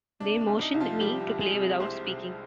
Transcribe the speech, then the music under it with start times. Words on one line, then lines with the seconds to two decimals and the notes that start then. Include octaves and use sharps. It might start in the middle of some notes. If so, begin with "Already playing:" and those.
They motioned me to play without speaking.
0.20 C3 D4
0.41 D4
0.47 C2
0.61 D#4
0.74 C2
0.80 F3 F4
1.00 F3 G3 G4
1.27 C2
1.40 G#3 G#4
1.53 C3
1.80 C2 C4 C5
2.07 C2